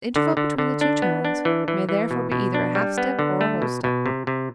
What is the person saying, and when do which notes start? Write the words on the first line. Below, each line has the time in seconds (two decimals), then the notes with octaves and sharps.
The interval between the two tones may therefore be either a half-step or a whole-step.
0.16 D3
0.37 D3
0.58 D3
0.81 D4
1.02 B3
1.25 D4
1.45 E3
1.68 E3
1.89 E3
2.11 B2
2.32 B2
2.54 D4
2.75 G3
2.98 B3
3.19 D3
3.41 A3
3.62 B2
3.84 B2
4.06 C3
4.27 C3